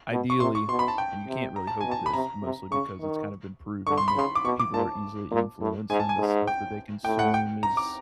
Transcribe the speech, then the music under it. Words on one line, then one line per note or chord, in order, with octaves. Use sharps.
ideally and you can't really hope this mostly because it's kind of been proven that people are easily influenced and the stuff that they consume is
B2
C#6
C3 C6
C#6
B2 C6
B5
A5
G5
C3
A#5
A5
B2 G#5
A5
B5
C3 A#5
C3
C#3 C#6
D#3
D3 C#6
C6
B5
C#3 C6
D6
B2 C#6
D6
A#2 A5
A#2
A2
G#2 G#5
A5
G#5
G#2
G5
A2 G5
F#5
G5
A#5
D6